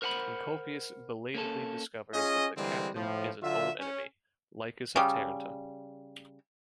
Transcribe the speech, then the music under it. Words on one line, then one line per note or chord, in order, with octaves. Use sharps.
Encolpius belatedly discovers that the captain is an old enemy, Lichas of Tarentum.
A#4 C5 F#5 G5 B5
A#3 C#4 A4
C#4 F4 G#4 D#5
D3 E3 G3 G#3 A#3 C4
A2 F3
D3 F#3 F4 E5
C#4
C#3 G3